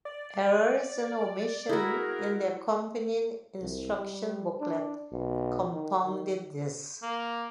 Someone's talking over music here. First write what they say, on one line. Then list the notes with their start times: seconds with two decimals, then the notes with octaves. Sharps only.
Errors and omissions in the accompanying instruction booklet compounded this.
0.05 D5
1.69 E4 F#4 G#4 A#4
3.62 C2
3.96 G3
4.60 D4
5.12 B1
5.73 D#3
6.04 D#3
7.03 A#3